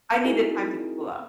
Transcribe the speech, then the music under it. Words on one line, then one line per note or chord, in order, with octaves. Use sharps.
I needed time to cool off.
C4 D#4 E4 F#4 G#4 A#4